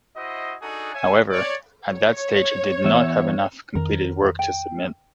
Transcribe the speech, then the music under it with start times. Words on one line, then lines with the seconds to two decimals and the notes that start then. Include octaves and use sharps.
However at that stage he did not have enough completed work to submit.
0.16 E4 F#4 C5 D#5
0.62 D4 D#4 F#4 G#4 A4
0.93 C#5 E5 G#5
1.30 C#5 D5
1.89 C#5
2.84 E2 E5
3.75 F2 D#3 A#4
4.39 G5